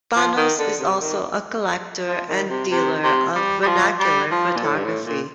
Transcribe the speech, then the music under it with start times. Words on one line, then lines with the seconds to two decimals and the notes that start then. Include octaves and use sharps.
Bannos is also a collector and dealer of vernacular photography.
0.16 F3
0.37 D#3
0.59 D3
0.79 C3
1.01 D#3
2.07 F3
2.29 D#3
2.50 C3
2.71 C3
3.03 C3
3.35 G3
3.63 G3
3.67 F3
3.99 G3
4.31 F3
4.56 A#2
4.63 A2
4.75 G2
4.85 A2
5.05 A#2